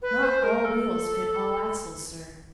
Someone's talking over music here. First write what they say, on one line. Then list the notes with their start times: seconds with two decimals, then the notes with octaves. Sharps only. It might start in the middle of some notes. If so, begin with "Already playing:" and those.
"Not all wheels fit all axles, sir."
0.02 B4
0.23 C5
0.43 A#4
0.65 A4